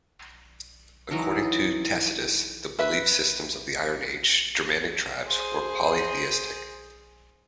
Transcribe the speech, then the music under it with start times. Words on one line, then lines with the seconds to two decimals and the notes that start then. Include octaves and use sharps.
According to Tacitus, the belief systems of the Iron Age Germanic tribes were polytheistic.
1.10 E3 F#3 D#4 E4
2.79 B4 E5
5.26 G#4 C5